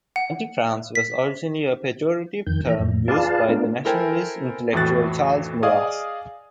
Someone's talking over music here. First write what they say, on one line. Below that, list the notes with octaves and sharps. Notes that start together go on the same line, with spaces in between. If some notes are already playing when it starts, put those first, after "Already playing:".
"Anti-France" was originally a pejorative term used by the nationalist intellectual Charles Maurras.
F#5
B6
F2 D#3 G6
E3 A4 A#5
F2 A2
F4 G#4 B4 D5 F5 A5
A3 B3 D4 F4 A#4
E4 A4 A#4 C5 G5 G#5
F2 A2 E3 F#4 F#6 A6
G#4 D5 D#5 F5 G#5 D#6